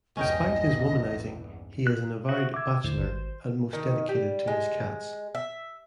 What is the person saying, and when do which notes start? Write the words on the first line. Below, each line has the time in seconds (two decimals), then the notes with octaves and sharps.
Despite his womanizing, he is an avowed bachelor, and most dedicated to his cats.
0.17 A#1 E2 G2 C#4 D#4 D#5 G5
1.87 F#6
2.29 F#4 C5 E5
2.54 E5 D6 E6 G#6
2.84 D#2 A2 D3 C5
2.97 G#1
3.73 D#3
4.09 G3
4.48 G#3
5.35 E5